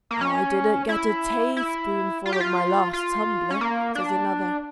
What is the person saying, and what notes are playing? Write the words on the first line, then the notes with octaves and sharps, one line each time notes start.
"I didn't get a tayspoonful of my last tumbler," says another.
A#3
C#4
E4
E4
F4
G4
F4
F4
C#4
A#3
D4